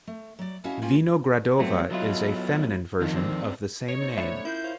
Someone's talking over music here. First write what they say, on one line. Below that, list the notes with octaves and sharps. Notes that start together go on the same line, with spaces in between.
Vinogradova is a feminine version of the same name.
A3
F#3 D5
C#4 E4 F#4 D#5 F5 A5
A#3 C#4 F4 G5
F#3 A3 B3 C4
F#3 B3 E4 F4 A4 D#5
F2 D#3 F3 F#3 D#4
D3 C4
C#5 D#5
B3 D#4 C5
A3 C#4 D5 E5 B5
E4 F4 A#4 G6 C7
C5 C#5 F5